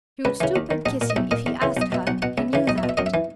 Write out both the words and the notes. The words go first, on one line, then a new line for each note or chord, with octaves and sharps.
She would stoop and kiss him if he asked her; he knew that.
C#2 B4
C#3 E3
D#2
D#3
A#1 D#5
A#2
D#5
B1 E5
A#2 D#5
E2
C#3 E3
B1 D#5
B2 E5
B1 F#5
B2 F#5
C#2 E5
C#3 E3
B1 D#5
E5
B2
E5
F#2 D#5
E5
E3